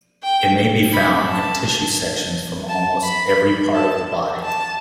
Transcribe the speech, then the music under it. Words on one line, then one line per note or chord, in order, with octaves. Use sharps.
It may be found in tissue sections from almost every part of the body.
G5
B5
A5
A5
B5
A5
A5